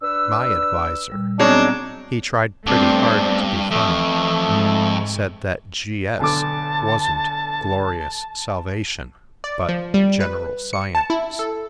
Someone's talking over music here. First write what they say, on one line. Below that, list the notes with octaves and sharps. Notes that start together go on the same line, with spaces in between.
My adviser--he tried pretty hard to be funny--said that G.S. wasn't glorious salvation but general science.
D4 B4 E6
A#2 G3
F#3 B3 C4 D4 D#4 G#4 C#5
G2 A3 B3 C4 D4
F2 E3 A3
G#2
B1 D3 A5 D6
D5
F3
G3
B4
C#7
A5
E4
A4